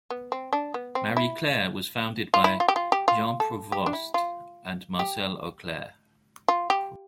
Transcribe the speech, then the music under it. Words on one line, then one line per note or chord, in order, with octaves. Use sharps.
"Marie Claire" was founded by Jean Prouvost and Marcelle Auclair.
B3
C4
D4
B3
C4
E4
F4
E4
F4
G4
F4
G4
F4
A4
G4
D4
E4
F4
G4
F4
G4